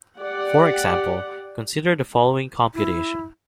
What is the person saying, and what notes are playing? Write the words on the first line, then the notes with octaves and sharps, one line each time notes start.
For example, consider the following computation.
G4 D5 F#5
E4